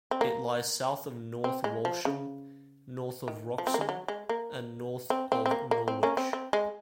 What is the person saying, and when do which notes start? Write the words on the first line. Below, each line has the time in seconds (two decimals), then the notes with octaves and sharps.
It lies south of North Walsham, north of Wroxham, and north of Norwich.
0.11 C4
0.21 A#3
1.44 C4
1.64 G#3
1.85 F3
2.05 C#3
3.28 D#3
3.58 F3
3.67 C4
3.74 A#3
3.81 G#3
3.89 F#3
4.08 G#3
4.29 A#3
5.10 C4
5.32 C4
5.46 C4
5.51 A#3
5.71 A#3
5.88 C4
6.03 A#3 C#4
6.17 C4
6.33 C4
6.53 G#3